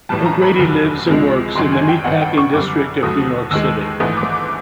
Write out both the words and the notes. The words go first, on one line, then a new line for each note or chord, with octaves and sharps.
O'Grady lives and works in the Meatpacking District of New York City.
B1 A2 E3 G3 A5
A#5
B5
F1 D#2 D3 F#3
C#2 C3 F3 G#3
G#1 F#2 D#3 F#3 C6
G#5
G5
A1 G2 D#3 F#5
G5
C#6
F#2 D3 G3 D6
D#2 D3 F#3 A3 D#6
D#2 D#3 G#3 E6
A#1 G#2 E3 A3 D#6
D6
D6